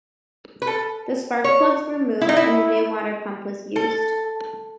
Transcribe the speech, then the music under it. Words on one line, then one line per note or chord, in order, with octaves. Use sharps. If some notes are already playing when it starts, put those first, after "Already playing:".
The spark plugs were moved and a new water pump was used.
B4
A4
C#5
E4
D#4
E4
A4